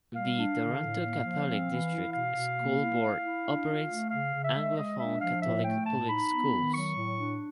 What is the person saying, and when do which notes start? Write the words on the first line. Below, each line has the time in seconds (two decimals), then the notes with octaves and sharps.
The Toronto Catholic District School Board operates Anglophone Catholic public schools.
0.16 G3 F5
0.38 D4
0.60 D3
0.82 A2
1.04 A#3
1.26 F3
1.48 C4
1.70 E3
1.92 E4
2.13 B2 F5
2.35 B2
2.57 A#3
2.79 E4
3.01 E4
3.23 E4
3.45 D4
3.67 F4
3.89 A3
4.10 C#3 F5
4.33 C#3
4.44 E5
4.55 G#3
4.77 G#3 D#5
4.98 D4 E5
5.21 F3 F5
5.42 A2 E5
5.64 A3 G5
5.87 A2 A5
6.08 D#4 B5
6.30 B3
6.53 D#3
6.74 F#3 C#6
6.96 A2
7.18 D4